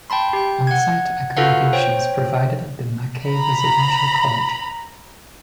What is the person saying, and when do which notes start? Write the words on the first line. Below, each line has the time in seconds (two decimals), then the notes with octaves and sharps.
On-site accommodation is provided at the Mackay Residential College.
0.10 G5 A5 B5 C6
0.33 G4 G5
0.67 F#5 G#6
1.37 F4 F#4 A4 B4 F5 F#5
1.73 C5 C#5 G5
3.27 A#5 B5